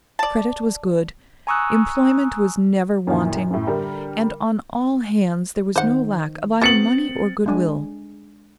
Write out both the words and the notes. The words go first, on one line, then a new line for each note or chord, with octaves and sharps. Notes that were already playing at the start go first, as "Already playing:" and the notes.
Credit was good, employment was never wanting, and on all hands there was no lack of either money or good-will.
D5 A5
G#5 A#5 C#6 D#6 E6 F#6
F#2 A#2 D#3 E3
F#2 A2
D3 G3 A#4
D#3 C5 F#5
F#3 B3 C4 A6 C#7 F#7
G#3 D4 G#5